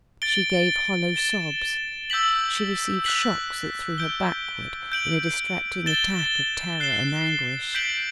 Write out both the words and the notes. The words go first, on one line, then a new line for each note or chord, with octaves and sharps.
She gave hollow sobs, she received shocks that threw her backward, in a distracting attack of terror and anguish.
A6 D7 G7
A6 E7 G7
E6 G6 B6 F#7
F#6 B6 F#7
G6 D7 G7
G6 D7 F#7
A6 E7 G7
F#6 C7 E7 G7
G6 B6 D7 F#7